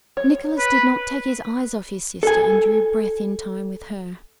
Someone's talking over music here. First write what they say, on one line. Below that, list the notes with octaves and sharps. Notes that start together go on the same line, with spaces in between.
Nicholas did not take his eyes off his sister and drew breath in time with her.
C#5
B4
A4 G#5